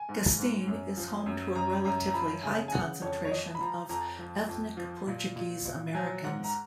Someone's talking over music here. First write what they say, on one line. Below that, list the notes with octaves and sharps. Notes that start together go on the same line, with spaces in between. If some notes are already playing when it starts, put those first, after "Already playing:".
Gustine is home to a relatively high concentration of ethnic Portuguese-Americans.
Already playing: G#5
G#2
G#2
F#2
F3
F#2
F#2 A#5
F#2 A#5
A#5
F3 B5
C#3 G#5
G#5
C#3 F#5
F2 C#5
C#5
F3 D#5
B5
F3 A#5
F2 A#5
F3
F2
F3
A#2
A#2
A#2
F#3 G#5
G#2 F#5
A#5